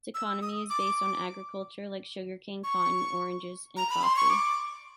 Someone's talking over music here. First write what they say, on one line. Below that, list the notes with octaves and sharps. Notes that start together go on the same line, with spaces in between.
Its economy is based on agriculture, like sugar cane, cotton, oranges, coffee.
E6
D#6
D6
C#6
A#5
B5
C6
C#6
D6